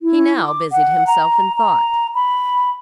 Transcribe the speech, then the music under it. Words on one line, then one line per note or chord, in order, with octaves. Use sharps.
He now busied himself in thought.
E4
D6
F#5
A#5
A#5
B5